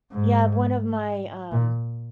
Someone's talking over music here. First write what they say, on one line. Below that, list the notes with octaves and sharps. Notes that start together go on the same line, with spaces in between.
Yeah, one of my, um
G#2
A#2